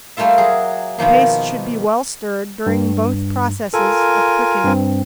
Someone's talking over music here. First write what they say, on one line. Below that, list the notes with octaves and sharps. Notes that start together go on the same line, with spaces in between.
The paste should be well stirred during both processes of cooking.
G3 A3 A#3 F4 E5
F#3 G#4
B2 D#3 F3 A#3
G2
F4 A4 A#4 G#5
G2 C4